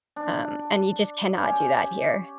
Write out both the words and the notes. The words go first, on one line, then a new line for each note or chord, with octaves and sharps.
Um, and you just cannot do that here.
D4
C#4 G4